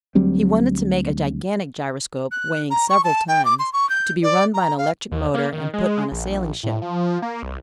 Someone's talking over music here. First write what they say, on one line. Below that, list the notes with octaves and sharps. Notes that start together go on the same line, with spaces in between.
He wanted to make a gigantic gyroscope weighing several tons, to be run by an electric motor and put on a sailing ship.
D2 F#3 G3 C4
F#6
A#5
C#6
A5
G5
D6
C6
C#6
G6
D5
A#5
F5
D#2
A#3
D#3
G#3
A#1
A#1
A2
F3
A#3
C2